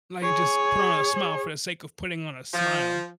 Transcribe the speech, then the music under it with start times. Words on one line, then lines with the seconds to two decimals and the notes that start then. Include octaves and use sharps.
like, just put on a smile for the sake of putting on a smile
0.23 G#4 C#5
2.54 F3